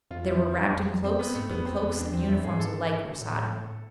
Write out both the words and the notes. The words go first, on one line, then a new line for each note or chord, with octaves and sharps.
They were wrapped in cloaks, but cloaks and uniforms alike were sodden.
F2 F4
E4
F2
C4
B3
G#2 A3
F2 B3
E2 C4
F2
E2 D4
E2 C4
F2 E4
G#2 G#4
A4
A2